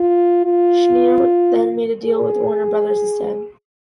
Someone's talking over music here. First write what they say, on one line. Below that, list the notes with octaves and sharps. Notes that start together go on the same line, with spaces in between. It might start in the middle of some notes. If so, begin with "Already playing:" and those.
Schneer then made a deal with Warner Brothers instead.
Already playing: F4
F4
G#4